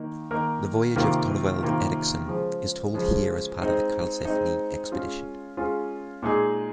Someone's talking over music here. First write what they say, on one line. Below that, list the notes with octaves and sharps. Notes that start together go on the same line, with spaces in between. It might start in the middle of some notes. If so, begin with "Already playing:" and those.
The voyage of Thorvald Eriksson is told here as part of the Karlsefni expedition.
Already playing: D#3 A#3 D#4
D#3 A#3 D#4 A#4
C3 D#3 A#3 F4 A#4
C3 D#3 A#3 F4 A#4
C#3 F3 G#3
C#3 F3 G#3
G#3 C4 D#4
G#3 C4 D#4
G#3 C#4 F4 G#4
G#3 C#4 F4 G#4
A#2 G#3 D#4 G#4